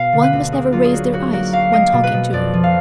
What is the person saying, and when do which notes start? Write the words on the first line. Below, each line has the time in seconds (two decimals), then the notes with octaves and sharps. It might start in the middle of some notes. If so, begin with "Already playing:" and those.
One must never raise their eyes when talking to her.
Already playing: B2 B3 F5
0.13 D3
0.23 B4
0.33 D2
0.52 A#3 G#4
0.72 F#3 F4
0.84 G#4
0.92 A#3 F#4
1.13 A#3 F#4
1.33 A#3 F#4
1.53 A#3 F5
1.72 A#3 D#5
1.93 B2
2.03 B4
2.13 B2
2.33 F2 D5
2.54 F3
2.64 F5